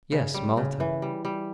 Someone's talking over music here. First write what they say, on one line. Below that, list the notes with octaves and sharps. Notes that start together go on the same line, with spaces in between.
"Yes; Malta."
C#3
G3
C#3
E3
G3
G3